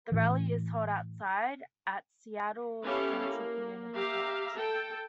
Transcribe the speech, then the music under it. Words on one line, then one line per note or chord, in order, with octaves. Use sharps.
The Rally is held outside at Seattle Central Community College.
A2 E3
B3 C#4 E4 G4 A4 F5
A#3
G4 E5 F5 A#5
A4 G5